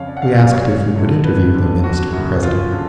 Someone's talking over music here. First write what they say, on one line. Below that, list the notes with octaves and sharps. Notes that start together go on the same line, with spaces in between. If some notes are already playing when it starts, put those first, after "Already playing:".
We asked if we could interview the Minister-president.
Already playing: F2 C#3 C#5 F5
D5
F#5
F5
F#2 C#3 F5
C#5
C#5
F#2 D3
B4
D2 D3
F#4
F#2 C#3 F#4
F4
D3